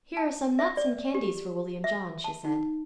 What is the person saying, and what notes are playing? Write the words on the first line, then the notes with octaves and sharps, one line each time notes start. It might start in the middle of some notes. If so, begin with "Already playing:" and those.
"Here are some nuts and candies for William John," she said.
A5
E5
D5
G4
E5
A5
D#4